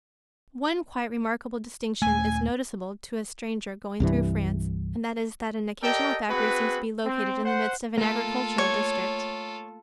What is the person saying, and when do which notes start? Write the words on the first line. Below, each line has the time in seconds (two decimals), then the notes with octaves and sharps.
One quite remarkable distinction is noticeable to a stranger going through France and that is that an occasional factory seems to be located in the midst of an agricultural district.
2.02 D#1 A3 G#5
4.00 C2 G2 E3
5.82 G4 A4 A#4 D5 D#5 G5
6.29 C4 F#4 G#4 B4
7.05 C4
7.45 C5 F#5
7.98 A3 A#3 F4 A4
8.58 C#5